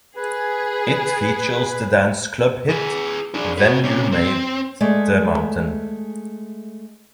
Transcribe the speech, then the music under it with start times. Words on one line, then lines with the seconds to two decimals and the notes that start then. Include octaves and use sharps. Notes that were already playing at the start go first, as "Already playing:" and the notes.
It features the dance club hit "When You Made The Mountain".
0.17 G#4 B4
2.69 G#4 B4
3.34 D4 G#4
3.58 F#4 B4
3.84 C3 C#4
4.12 C4
4.81 G#3 A3 G#4 D5